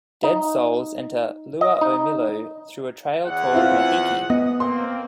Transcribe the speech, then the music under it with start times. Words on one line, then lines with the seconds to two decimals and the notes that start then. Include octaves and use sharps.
Dead souls enter Lua-o-Milu through a trail called Mahiki.
0.23 D#4
1.61 D#5
1.81 D#4
3.25 E2 F#5
3.53 C4 E4 F4
4.30 B3 D#5
4.60 A#3 C4 C6